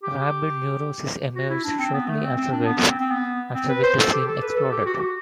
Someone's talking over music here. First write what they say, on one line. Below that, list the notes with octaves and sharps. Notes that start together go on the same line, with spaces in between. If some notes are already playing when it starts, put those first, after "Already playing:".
Rabid Neurosis emerged shortly afterwards, after which the scene exploded.
G4
F#4
E4
D4
C4
B3
A3
C4
C4
D4
B3
B3
C4
C4
B3
C4
B4
C5
A4
G4
A4
B4
A4
G4
F#4
G4
F#4